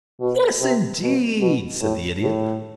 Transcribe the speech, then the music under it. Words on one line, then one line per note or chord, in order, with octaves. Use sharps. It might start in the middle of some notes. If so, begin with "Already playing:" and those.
"Yes, indeed," said the Idiot.
B2
C3
B2
B2
A2
A2